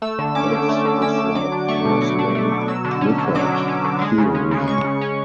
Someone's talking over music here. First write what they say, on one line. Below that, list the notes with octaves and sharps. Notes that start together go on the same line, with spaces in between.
This is the Hammersley-Clifford theorem.
A3 E6
D3
C#4 D6
D3
A3
D3
C#4 E6
D3
F#3 D6
D4
A3 C#6
B2
F#3 D6
D4
A3
B2
F#3 E6
D3
C#4
D3
F#3 D6
D3
C#4
D3
G#3
C#3
C#4
C#3
G#3 C#6
C#3
C#4